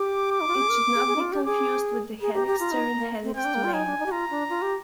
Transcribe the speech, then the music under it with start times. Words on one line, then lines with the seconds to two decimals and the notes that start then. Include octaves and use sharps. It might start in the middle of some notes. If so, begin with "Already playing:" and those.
It should not be confused with the helix-turn-helix domain.
Already playing: G4 D6
0.31 D6
0.41 D#4
0.48 F4
0.55 G4
0.62 G#4
0.69 A#4
0.95 G#4
1.07 G#4
1.16 D#4
1.20 F4
1.32 G4
1.45 G#4 D6
2.21 G#4 A#5
2.34 G4
2.47 G4
2.60 F4
2.72 D#4
2.98 A#3
3.23 C4
3.35 C4 G5
3.45 D4
3.54 A#3
3.64 F4
3.74 D#4 G#5
3.86 D4
3.99 D#4
4.06 G4
4.12 F4 A#5
4.30 D4
4.49 F4
4.62 G4